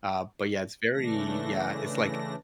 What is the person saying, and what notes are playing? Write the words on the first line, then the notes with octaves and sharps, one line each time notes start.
Uh, but, yeah, it's very yeah, it's like
C#3 E3 A3 D4 A#6